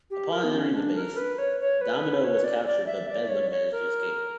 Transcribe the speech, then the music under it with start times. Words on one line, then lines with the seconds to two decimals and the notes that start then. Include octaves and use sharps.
Upon entering the base, Domino was captured but Bedlam managed to escape.
0.11 G4
0.32 A#4
0.44 B3
0.54 C#4
0.75 D4
0.96 A#4
1.16 B4
1.39 C#5
1.60 C#5
1.81 B4
2.24 C#5
2.44 D5
2.66 D5
2.86 E5
3.09 D5
3.29 C#5
3.51 C#5
3.72 A#4